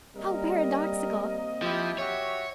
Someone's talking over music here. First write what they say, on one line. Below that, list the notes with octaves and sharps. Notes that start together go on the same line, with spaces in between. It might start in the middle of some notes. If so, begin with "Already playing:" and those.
How paradoxical!
G3 A#3 C4 A#4 D#5
F3 E4 G4
F#4 G4 C#5 E5